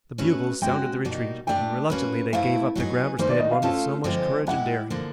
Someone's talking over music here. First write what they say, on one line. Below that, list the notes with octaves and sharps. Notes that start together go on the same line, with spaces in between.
The bugles sounded the retreat, and reluctantly they gave up the ground which they had won with so much courage and daring.
A3 C#4 F#4 B4
G#3 C#4 F#4 G5
B2 G3 A#3 D#4
A3 D4 G4 G5
A#3 C#4 F#4 B4
A3 C4 E4 F5
F#3 B3 D#4 G#4
D#3 G3 A#3 D#4 C5
D5
D#5
F5
A3 C#4 F4 A4 C5
D3 F3 G#3 C4 F4
G#3 B3 E4 G4 F#5
D3 F3 A#3